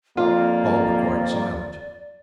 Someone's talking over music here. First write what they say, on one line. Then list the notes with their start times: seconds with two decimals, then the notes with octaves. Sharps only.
All were quite silent.
0.17 F2 A#3 F4 D5